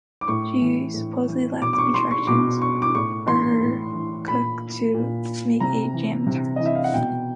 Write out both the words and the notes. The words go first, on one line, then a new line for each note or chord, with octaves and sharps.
She supposedly left instructions for her cook to make a jam tart.
D6
A2 C#6
E3
A2
E3
B2 D6
D6
C#6
C6
C#6
B2 D6
C#6
D6
A2 C#6
E3 C6
A2
E3
A#2 B5
A#2
C3 A#5
E3
C3
E3 D#5
E5
F5
F#5
B2 G5